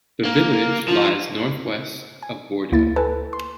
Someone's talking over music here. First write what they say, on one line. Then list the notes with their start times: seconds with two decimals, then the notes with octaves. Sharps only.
The village lies northwest of Bordeaux.
0.25 A#3
0.88 F3
2.23 G#5
2.72 D2 A#3 E4 A6
2.96 A4 B4 G#5 A5
3.33 C6